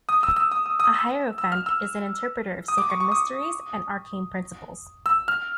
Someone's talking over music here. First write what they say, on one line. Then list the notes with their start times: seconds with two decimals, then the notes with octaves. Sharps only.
A hierophant is an interpreter of sacred mysteries and arcane principles.
0.09 D#6
0.23 E6
0.36 E6
0.51 D#6
0.66 D#6
0.80 D#6
0.94 E6
1.38 E6
1.52 F6
1.66 E6
2.68 D#6
2.78 D6
2.90 C#6
3.00 C#6
3.12 D#6
5.06 E6
5.28 F6